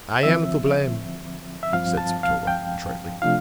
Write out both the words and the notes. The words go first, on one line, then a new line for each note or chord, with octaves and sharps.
"I am to blame," said Spatola, contritely.
D3 F3 C4 E5
E5
G2 F3 C4 F5
A5
F5
G5
C3 F3 A3 D4 F4 F5